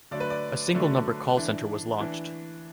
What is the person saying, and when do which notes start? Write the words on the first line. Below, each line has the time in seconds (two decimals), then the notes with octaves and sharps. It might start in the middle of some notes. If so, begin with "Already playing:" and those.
A single number call centre was launched.
0.11 D3 F#3 A3 D4 D5
0.20 B4
0.30 D5
0.74 D3 F#3 A3 D4
1.37 E3 D4
2.00 E3 D4